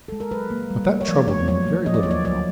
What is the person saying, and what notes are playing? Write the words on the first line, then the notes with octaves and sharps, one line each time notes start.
But that troubled me very little now.
G#3 A4
A#4
F#3 B4
A#3
G3
A#3
C#5
F3 D5
A3 C#5
F#3 C#5
A#3
F3 D#5
D5
A#3 C#5
D5
F#3 D5